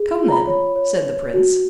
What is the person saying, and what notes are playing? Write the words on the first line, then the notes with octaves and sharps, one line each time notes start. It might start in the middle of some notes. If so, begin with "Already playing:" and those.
"Come, then," said the prince.
Already playing: G#4
F4
A#5
B5
C#5
C#5
C#5
F#4